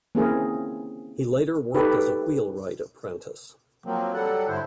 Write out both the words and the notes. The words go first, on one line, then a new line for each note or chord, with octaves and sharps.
He later worked as a wheelwright apprentice.
A#3 C4 C#4 E4 G#4 A#4
D#4 G4 A4 B4
F3 F#3 A#3 C4
F#3 G3 A4 F#5
G2 D3 E4 C5